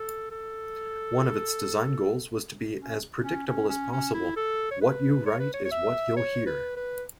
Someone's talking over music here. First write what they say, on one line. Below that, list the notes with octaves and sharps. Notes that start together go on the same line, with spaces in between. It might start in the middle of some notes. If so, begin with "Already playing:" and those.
One of its design goals was to be as predictable as possible: 'what-you-write-is-what-you'll-hear'.
Already playing: A4
A4
C#4
C#4
C#4
C#4
C#4
E4
A4
C#5
B4
C#5
B4
C#5
C#5
E5
C#5
B4
B4